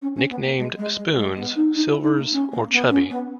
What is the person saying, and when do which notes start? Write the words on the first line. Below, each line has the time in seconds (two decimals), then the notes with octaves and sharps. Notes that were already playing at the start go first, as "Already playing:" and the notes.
Nicknamed Spoons, Silvers or Chubby.
0.02 C#4
0.16 C#4
0.30 B3
0.44 A#3
0.59 G#3
0.78 G#3
0.98 G#3
1.17 G#3
1.37 B3
1.56 D#4
1.75 D#4
1.89 E4
2.03 D#4
2.18 A#3
2.33 C#4
2.52 A#3
2.72 B3
2.90 C#4
3.10 B3